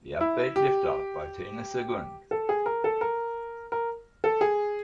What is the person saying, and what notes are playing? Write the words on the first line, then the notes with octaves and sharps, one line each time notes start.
The upbeat "Lift Off" by Tina Sugandh.
E4
G4
A4
G#4
A#4
A4
A#4
A#4
A4
G#4